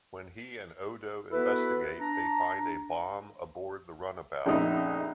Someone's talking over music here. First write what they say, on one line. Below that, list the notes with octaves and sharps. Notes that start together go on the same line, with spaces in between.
When he and Odo investigate, they find a bomb aboard the runabout.
B3 E4 F#4 A4 B4
D4 A#5
A#1 F2 C#3 D#4 E5